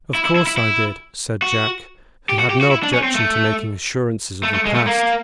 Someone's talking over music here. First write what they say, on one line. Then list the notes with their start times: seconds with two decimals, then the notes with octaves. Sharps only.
"Of course I did," said Jack, who had no objection to making assurances of the past.
0.15 E4
0.25 E4
0.36 E4
0.47 E4
0.57 E4
1.42 F#4
2.29 G4
2.39 F#4
2.50 G4
2.61 F#4
2.71 E4
2.83 D4
2.93 C#4
3.04 C4
3.15 A3
4.43 A3
4.54 A3
4.65 G#3
4.75 A3
4.87 A#3